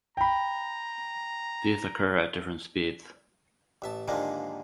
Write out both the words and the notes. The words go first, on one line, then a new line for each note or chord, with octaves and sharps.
These occur at different speeds.
G5 A#5 B5
A1 E5 A5
D#2 G#2 D3 F3 G#3 A#3